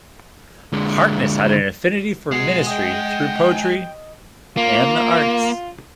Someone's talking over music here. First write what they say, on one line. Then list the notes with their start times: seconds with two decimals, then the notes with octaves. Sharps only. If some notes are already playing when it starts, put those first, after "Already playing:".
Harkness had an affinity for ministry through poetry and the arts.
0.73 D3 G#3
2.32 B2 G#3 G#4 F#5 G#5 C7 C#7
2.67 D#5 G5 D#6
4.57 A#3 F4